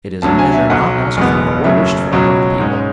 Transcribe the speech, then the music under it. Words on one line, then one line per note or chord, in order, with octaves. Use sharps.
It is a measure not asked for or wished for by the people.
D2 D3 F#3 A5
G#5
E5
B1 B2 F#3 F#5
F#1 E2 B2 G#3 B3
F#1 F#2 C#3 F#3 A3 E5
C#2 B2 F#3 C#4
G#2 G#3 C#4